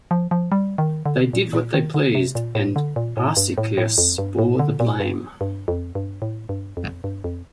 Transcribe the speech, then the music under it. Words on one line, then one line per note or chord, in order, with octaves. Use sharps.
They did what they pleased, and Arsacius bore the blame.
F3
F3
G3
D#3
D3
A#2
A#2
D#3
D3
C3
A#2
A2
D3
A#2
A2
G2
A2
A2
F2
G2
A2
D3
A#2
G2
G2
F2
G2
A2
G2
F2
G2
F2